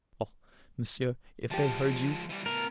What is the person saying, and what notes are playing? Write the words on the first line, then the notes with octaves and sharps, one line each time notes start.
Oh! monsieur, if they heard you!
F3 G#3 G4 A5
E3 G3
A2 B3 A#4